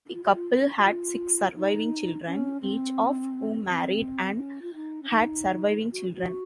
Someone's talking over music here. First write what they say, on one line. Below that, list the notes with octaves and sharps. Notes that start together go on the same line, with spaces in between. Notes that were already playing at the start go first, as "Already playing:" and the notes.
The couple had six surviving children, each of whom married and had surviving children.
F4
F#4
F4
F#4
F4
D#4
C#4
C4
C4
C#4
F4
D#4
C#4
D#4
F#4
F#4